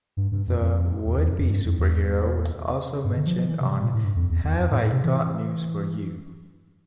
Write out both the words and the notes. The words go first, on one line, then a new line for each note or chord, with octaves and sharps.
The would-be-superhero was also mentioned on "Have I Got News For You".
G2
G2
F2
F2
E2
E2
F2
F2
G2
F2
E2
G2
D3
F3
F3
E3
C3
C3
A#2
A2
G2
F2
E2
E2
F2
A2
A2
C3
E3